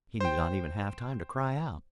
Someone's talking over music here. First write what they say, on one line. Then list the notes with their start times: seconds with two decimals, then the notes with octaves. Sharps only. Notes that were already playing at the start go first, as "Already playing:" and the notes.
He did not even have time to cry out.
0.20 C5 G5